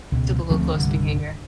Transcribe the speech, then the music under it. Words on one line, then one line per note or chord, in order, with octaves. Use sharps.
Typical close behavior.
C#2 B2
D2 F3 A3 C4
C2 G2 D3